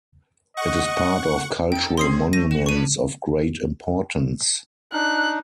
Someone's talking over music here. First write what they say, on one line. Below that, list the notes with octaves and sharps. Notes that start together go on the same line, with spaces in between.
It is part of Cultural Monuments of Great Importance.
D#5 F#5 C#6
D#4 A4 G5 D7
C4 C#4 G#4 C6 D#6 C7
A3 A#6 D#7
F#4 E7
C#3 D4 B4 C#6 D#7
D4 D#4 F#6